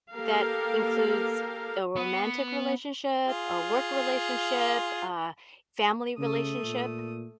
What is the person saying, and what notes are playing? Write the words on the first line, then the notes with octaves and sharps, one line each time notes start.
that includes a romantic relationship, a work relationship, uh, family relationship.
A#3 G4 A4 A#4 F5
B3
F4 G#4
C#3 A3 D#6
A#2